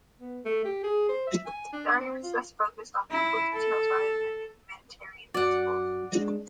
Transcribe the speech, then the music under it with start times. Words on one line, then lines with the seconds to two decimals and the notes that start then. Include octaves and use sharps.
The arguments thus focused on legal details rather than humanitarian principles.
0.20 B3
0.45 A3
0.65 G4
0.84 G#4
1.09 C5
1.27 E5
1.46 G#5
1.73 D4
1.88 D4
2.01 C4
2.23 F4
3.11 E4
3.53 A4
5.34 F#2 F#4 D5 F#5
6.12 G#3 D4